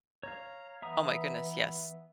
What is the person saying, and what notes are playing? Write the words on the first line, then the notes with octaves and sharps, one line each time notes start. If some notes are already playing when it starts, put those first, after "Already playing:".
Oh my goodness, yes.
C#5 F5 A#5
E3 B3 E5 A#5 D#6